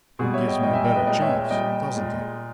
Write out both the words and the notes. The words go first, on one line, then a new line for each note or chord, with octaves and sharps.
"It gives me a better chance--doesn't it?"
B2 G3 G#4
C#5 E5
D#5 G5
A#2 G3 D#5 G5
E5 G#5
D#5 G5
B4 D#5
A#2 G#3 D#5 G5
C#5 E5
A#2 G3 D#5 G5
A#2 G#3